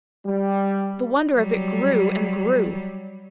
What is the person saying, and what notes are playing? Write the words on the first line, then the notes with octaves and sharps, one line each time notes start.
The wonder of it grew--and grew.
G3
F#3 G3